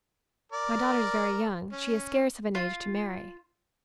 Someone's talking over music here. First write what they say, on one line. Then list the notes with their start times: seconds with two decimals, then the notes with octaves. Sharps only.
"My daughter is very young--she is scarce of an age to marry."
0.52 A#4 D5
1.73 C#4
2.55 F4